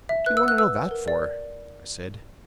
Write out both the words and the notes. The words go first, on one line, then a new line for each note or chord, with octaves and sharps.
"What do you want to know that for?" I said.
E5
B4 F#6
E6
F#5
F#6
B4 E6
F#5
A#4
D5